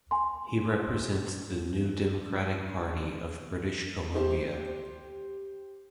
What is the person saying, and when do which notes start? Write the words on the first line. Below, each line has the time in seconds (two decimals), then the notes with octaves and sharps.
He represents the New Democratic Party of British Columbia.
0.11 G#5 C6
4.15 G4 C5